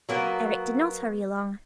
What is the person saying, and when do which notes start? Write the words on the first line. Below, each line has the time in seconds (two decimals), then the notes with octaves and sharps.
Eric did not hurry along.
0.09 F#3 A#3 B3